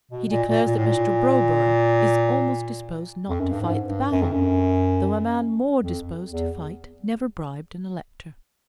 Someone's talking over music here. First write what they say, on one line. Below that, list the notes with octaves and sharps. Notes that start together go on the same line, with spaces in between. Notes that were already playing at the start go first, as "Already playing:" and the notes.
He declares that Mr. Browborough is almost disposed not to fight the battle, though a man more disposed to fight never bribed an elector.
B2
A#2
A#2
A#2
A2
A#2
F2
F#2
G2
G#2
G2
F#2
F2
F#2
F2
E2